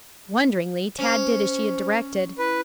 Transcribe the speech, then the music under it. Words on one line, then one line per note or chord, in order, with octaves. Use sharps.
Wonderingly, Tad did as she had directed.
C#4 C5
E4 B4